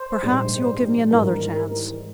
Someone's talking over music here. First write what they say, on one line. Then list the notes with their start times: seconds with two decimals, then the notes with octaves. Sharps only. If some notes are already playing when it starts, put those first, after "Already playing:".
"Perhaps you will give me another chance?"
Already playing: C5
0.22 A#1 G#2 G3
1.11 G#1 G#2 E3 G3 A#4